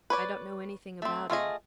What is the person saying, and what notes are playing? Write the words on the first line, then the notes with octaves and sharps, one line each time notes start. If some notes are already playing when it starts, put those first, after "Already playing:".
"I don't know anything about him."
B4 C#5 D5
A3 C4
A3 F4 G#4 D#5